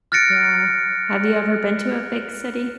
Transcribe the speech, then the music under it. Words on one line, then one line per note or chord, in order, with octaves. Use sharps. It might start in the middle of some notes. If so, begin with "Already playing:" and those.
Yeah. Have you ever been to a big city?
F6 F#6 A6 A#6 C#7 D7